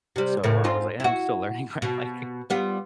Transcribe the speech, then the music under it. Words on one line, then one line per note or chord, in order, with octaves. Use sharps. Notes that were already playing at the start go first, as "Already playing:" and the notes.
so I was like, "I'm still learning, right?" Like
C3 G3
A2 C#3 A#3
G#2 C4 F4
E4 F#4
B2
G3 B3 F4